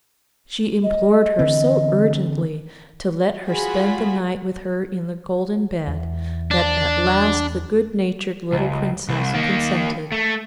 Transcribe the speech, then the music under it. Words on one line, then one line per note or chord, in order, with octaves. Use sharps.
She implored her so urgently to let her spend the night with her in the golden bed, that at last the good-natured little Princess consented.
D#5
D3 E3 C4
F4 F#4 G#4 B5
E2
D4
C#2
C2
D#3 A#3
A3